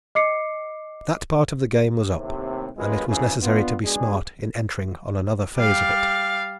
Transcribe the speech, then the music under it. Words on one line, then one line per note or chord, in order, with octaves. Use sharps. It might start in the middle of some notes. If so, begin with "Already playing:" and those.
That part of the game was up--and it was necessary to be smart in entering on another phase of it.
D#5 D6 C7 C#7
D#2 A2 C3
A#1 F#2 A2 G#3 F4 B4
G#1 C#2 C#3 E3 G#4
B3 D4 F4
B2 G#3 D4 G#4
G3 F5